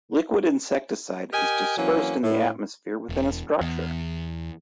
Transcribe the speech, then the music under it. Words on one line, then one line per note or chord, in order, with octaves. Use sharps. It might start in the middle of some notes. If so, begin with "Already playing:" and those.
Liquid insecticide is dispersed in the atmosphere within a structure.
G4 A#4 D#5 G#5
E3 F#3 A#3 C4 C#4
A2
E1
E2